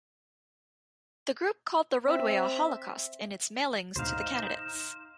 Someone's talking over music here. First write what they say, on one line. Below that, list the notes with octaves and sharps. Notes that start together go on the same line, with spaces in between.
The group called the roadway a "holocaust" in its mailings to the candidates.
C4 E5
D2 G#2 B2 D#4 C5 F5 E7